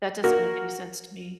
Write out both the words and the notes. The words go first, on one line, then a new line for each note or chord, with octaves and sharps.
That doesn't make any sense to me.
A#3 F#4 A#4